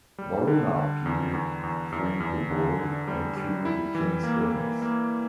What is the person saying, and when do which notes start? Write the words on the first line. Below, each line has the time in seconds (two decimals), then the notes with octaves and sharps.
Varuna appeared, freed the boy and cured the King’s illness.
0.18 G3
0.47 D3
0.76 D3
1.06 E2
1.33 E2
1.63 E2
1.92 E2
2.20 E2
2.50 D3
2.78 D3
3.07 G3
3.37 G3
3.65 E4
3.95 E3
4.23 A#3
4.52 A#3
4.82 A#3